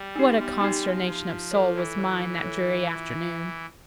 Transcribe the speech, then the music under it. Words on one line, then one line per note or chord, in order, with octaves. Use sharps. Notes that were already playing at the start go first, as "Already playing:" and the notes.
What a consternation of soul was mine that dreary afternoon!
Already playing: G3
D#4 G4
G3 B3
D#4 G4
F3 B3
D#4 G4
F4
A4 C#5
E3 F4
A4 C#5
F4
A4 C#5
F4